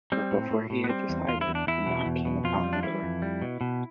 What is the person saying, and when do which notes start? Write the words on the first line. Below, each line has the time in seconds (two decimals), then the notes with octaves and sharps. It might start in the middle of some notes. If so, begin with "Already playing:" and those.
But before he had decided a knock came upon the door.
0.12 G3 C4
0.31 A2
0.51 A2
0.70 A2
0.84 B3
0.89 G3 C4
1.09 E2
1.28 E2 F4
1.41 E4
1.47 E2
1.55 D4
1.67 E2 E4
1.86 B2
2.05 E2
2.25 B2
2.44 F2 F4
2.64 G3
2.73 D4
2.83 E3 E4
3.03 F2
3.22 G3
3.42 B2
3.61 B2